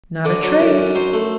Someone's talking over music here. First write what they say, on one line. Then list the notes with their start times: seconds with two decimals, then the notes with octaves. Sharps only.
"Not a trace."
0.25 D3 D5
0.43 F#3
0.60 F#2
0.78 F#2
0.95 F#3 C5
1.13 A3